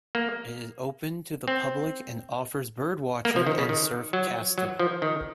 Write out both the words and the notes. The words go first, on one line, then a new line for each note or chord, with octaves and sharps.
It is open to the public, and offers bird watching and surf casting.
A#3
C4
A#3
F3
D#3
C#3
D#3
F#3
F#3
F3
D#3